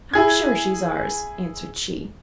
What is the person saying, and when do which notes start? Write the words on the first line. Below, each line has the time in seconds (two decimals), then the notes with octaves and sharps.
"I am sure she is ours," answered she.
0.14 E4 G#4 G#6